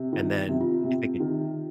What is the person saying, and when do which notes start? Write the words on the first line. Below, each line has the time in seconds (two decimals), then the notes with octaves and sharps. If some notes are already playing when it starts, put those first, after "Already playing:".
and then if it gets
Already playing: C3
0.13 D#3 F4
0.48 C3
0.61 F4
0.84 C3
1.20 D#3